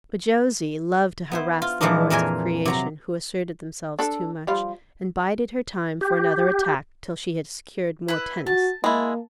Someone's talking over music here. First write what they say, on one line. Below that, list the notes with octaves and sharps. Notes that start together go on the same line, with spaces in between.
But Josie loved to harass the lords of creation who asserted themselves too much, and bided her time for another attack till she had secured more tennis.
B3 E4 C5
F4
A#2 E3 F3 G#3 D4 D#4
F2 A#2 E3 A#4 C5 G#5
C3 F#3 A#5
D4 A4
F3 G3 F4
G4
E4 B4
F#4 A5
G#3 A#3 E4